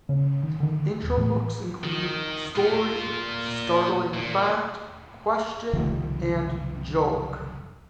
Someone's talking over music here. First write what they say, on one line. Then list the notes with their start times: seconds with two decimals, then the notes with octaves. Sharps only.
Intro hooks include "story", "startling fact", "question", and "joke".
0.09 C#3 C#4
0.43 D#3
0.60 D3 D#3
1.03 D#1
1.17 A2 E3 G#3
1.84 D#3
2.56 A#2 F4
4.14 A#2
5.73 F#1 C2 D#3 F3